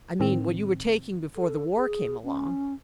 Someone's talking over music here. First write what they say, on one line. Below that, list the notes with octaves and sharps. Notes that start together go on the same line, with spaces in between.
I mean what you were taking before the war came along.
A2 D#3 C4
A4
G#4
C#4